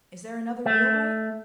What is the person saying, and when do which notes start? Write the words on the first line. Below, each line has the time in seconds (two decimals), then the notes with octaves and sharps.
"Is there another wheelwright?"
0.66 A3